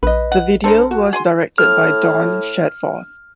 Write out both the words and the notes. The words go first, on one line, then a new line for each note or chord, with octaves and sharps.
The video was directed by Dawn Shadforth.
A#1 B4 D#5
F#5
D4 A4 A#4 C5
F#4
G#4 G#5 C6
A2 F6